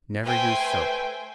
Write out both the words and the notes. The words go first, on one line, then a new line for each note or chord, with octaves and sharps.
Never use soap.
A3 B4 C5 G5 G#5